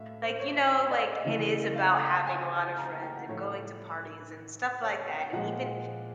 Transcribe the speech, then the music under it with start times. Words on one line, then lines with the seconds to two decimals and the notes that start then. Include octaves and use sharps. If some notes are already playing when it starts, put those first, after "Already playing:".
like, you know, like, it is about having a lot of friends, and going to parties, and stuff like that, and even ea
Already playing: A2 A3 E5 F5
0.23 C5
0.40 C#5
0.57 C5
0.74 C#5
0.91 D5
1.08 D#5
1.24 C#3 E3 A3
1.76 F5
1.93 F#5
2.09 G5
2.27 G#5
2.77 A#5
2.91 A5
3.03 G5
3.16 F#5
3.29 A2 F3 A3 C#5
4.82 C#5
4.95 C#5
5.08 F#5
5.21 G5
5.33 A#2 F3 G#3 F#5